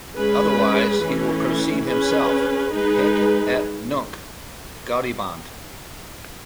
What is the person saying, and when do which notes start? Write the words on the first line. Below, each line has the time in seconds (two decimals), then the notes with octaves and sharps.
Otherwise, he will proceed himself, hic et nunc..." "Gaudiband.
0.17 G#3 C#4 G#4 B4
1.02 E3 A3 C#4
1.87 C#4 G#4 B4
2.72 G#3 D#4 G#4 B4